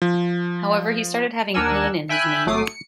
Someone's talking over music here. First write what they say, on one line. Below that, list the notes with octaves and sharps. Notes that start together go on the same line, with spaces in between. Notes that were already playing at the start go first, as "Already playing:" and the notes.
However, he started having pain in his knee.
F3
D#2 D4 A#4 F#5 G#5 E6
E5 G5 G#5 B5 F#6
G#1 F#3 A3 D6 D#6 C7
C#7